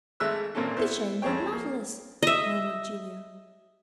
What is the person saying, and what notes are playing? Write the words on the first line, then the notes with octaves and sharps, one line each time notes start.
"The Chambered Nautilus," murmured Julia.
G#1 G#3 A3 E5 E6 F#6
G#1 A#2 A#3 C4 C#4 A4
B3 E4 C5
F2 G#3 G#4 C#5 G5
A#3
D#5 E5